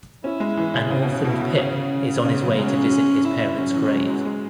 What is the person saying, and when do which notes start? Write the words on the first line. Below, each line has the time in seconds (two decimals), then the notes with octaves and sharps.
An orphaned Pip is on his way to visit his parents' grave.
0.24 C#4 E4
0.40 G#3
0.57 E3
0.74 C#3
0.90 C#3
1.02 B2
1.13 C#3
1.24 B2 E4
1.40 B2
1.57 C#3 C#4
2.25 C#3 B3
2.41 F#3
2.58 G#3 C#4
3.25 E4
3.58 F#3 C#4
3.74 E3
3.85 G#3
3.91 F#3
4.09 G#3
4.25 G#3